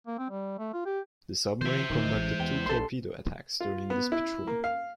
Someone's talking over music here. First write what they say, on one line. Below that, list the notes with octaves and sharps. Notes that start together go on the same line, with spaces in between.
The submarine conducted two torpedo attacks during this patrol.
A#3
C4
G3
A3
F4
G4
D#3 F3 C5 E5
D1 D3 D#3
A1 E3 G#3
E2 G5
A#1 A4 C6
F4
B3
E4
A#3
F5